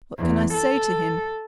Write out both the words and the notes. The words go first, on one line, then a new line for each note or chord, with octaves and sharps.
What can I say to him?
E2
A4